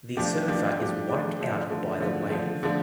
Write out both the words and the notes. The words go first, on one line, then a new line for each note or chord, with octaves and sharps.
The surfer is wiped out by the wave.
F3 A3 D4 G4
F3 A3 D4 G4
F3 A3 D4 G4
F3 A3 D4 G4
D3 F3 A3
D3 F3 A3
D3 F3 A3
D3 F3 A3
D3 F3 A3